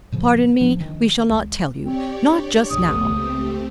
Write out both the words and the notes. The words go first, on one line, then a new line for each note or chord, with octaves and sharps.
"Pardon me, we shall not tell you--not just now."
A#2 C#3 F3
A1 F3 D4
D#3
C#2
C4 G4 C#5 D5
D4
F1 B1 A3 B3 D4 D#6
C#2 A3 C4 G4